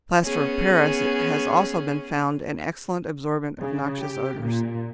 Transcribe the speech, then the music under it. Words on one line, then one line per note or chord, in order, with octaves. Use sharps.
Plaster of Paris has also been found an excellent absorbent of noxious odors.
B3 C#4 G#4
C#3
G4
A#2